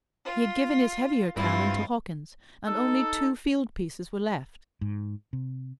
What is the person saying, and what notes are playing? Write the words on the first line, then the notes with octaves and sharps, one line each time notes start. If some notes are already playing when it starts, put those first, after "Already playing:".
He had given his heavier cannon to Hawkins, and only two field-pieces were left.
F4
G2 C4 E4 F4
D#4 A4
G#2
C3